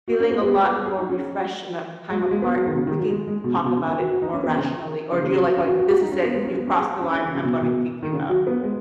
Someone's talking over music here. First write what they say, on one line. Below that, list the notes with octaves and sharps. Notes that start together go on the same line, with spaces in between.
feeling a lot more refreshed in that time apart, we could talk about it more rationally." Or do you like going, "This is it. You've crossed the line. I'm gonna kick you out."
F#4
C#4
B3
B3
G#3
B3
G#4
G#4
D#4
C#4
G#3
F#3
G#3
B3
F#3
D#3
B2
C#3
D#3
F#3
G#3
G#3
B2
C#3
B2
C#3
D#3
F#4
F#4
D#4
C#4
B3
C#3
C#3
C#3
C#3
F#3
C#4
F#4
F#4
F#4
D#4
C#4
B3
G#3
C#4
B3
C#4
G#4
C#4
C#4
C#3
C#3
B2
B2
D#3
C#3
F#3
B3
G#3